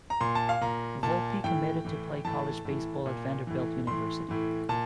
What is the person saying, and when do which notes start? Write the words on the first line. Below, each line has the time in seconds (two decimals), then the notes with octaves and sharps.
Volpe committed to play college baseball at Vanderbilt University.
0.10 A#5
0.21 A#2 C6
0.35 A5
0.49 F5
0.61 A#2 A#5
1.03 A#2 A5
1.44 A2 E3 G5
1.85 A2 E3
2.25 A2 E3 A5
2.65 A2
2.70 E3
3.06 A#2
3.47 A2 E3
3.87 A2 E3 C6
4.29 A2 E3
4.69 A#2 A5